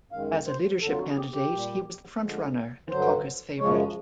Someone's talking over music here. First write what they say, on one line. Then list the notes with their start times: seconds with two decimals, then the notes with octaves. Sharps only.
As a leadership candidate, he was the front-runner and caucus favourite.
0.12 F#2 D#3 G#3 F5
0.47 C5
0.81 F2 D3 F#3 A4
0.91 F4
0.99 F#4
1.09 G#4
1.16 G4
1.33 G4
1.51 A#2 G3
2.20 D2 D3 F3 G#3
2.90 G2 D3 F#3 C5
3.59 F#2 C#3 F3 G#3 C#5